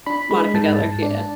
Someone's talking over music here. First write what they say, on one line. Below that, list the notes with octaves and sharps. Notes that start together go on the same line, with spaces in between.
Monica Geller, yeah.
D4 B5
G#3 B5
G#2 A5
G#2
D4